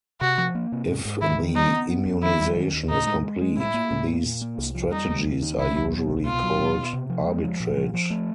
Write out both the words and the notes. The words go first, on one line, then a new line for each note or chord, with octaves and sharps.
If the immunization is complete, these strategies are usually called arbitrage.
C3 F#4
F3
A#3
C3
G#2
G#2
D#3 E4
D#3
G3 D#4
B3
B3
F2
D#3 E4
G3
D#3
D#2
A2 D#4
G#3
G#3
G#3
A2 E4
A#3
A2
A#3
A#2
A#3
C2
F3
G3 D#4
D#2
D#2
D#3
C2 E4
F#3
B2
C2
B2 F4
F#3
B2
B2
C3
F3
G#3
F3
A#2
F3
F3
A3